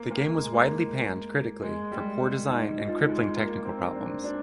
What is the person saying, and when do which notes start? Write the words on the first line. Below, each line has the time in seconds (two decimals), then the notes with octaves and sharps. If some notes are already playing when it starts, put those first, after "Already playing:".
The game was widely panned critically for poor design and crippling technical problems.
Already playing: A#3
0.11 A#3
0.32 G#3
0.54 A#3
1.62 G#3
1.92 G3
2.49 D#4
2.78 D#4
2.88 F4
2.98 D#4
3.07 G#3
3.36 A#3
3.65 C4
3.95 D4
4.24 D4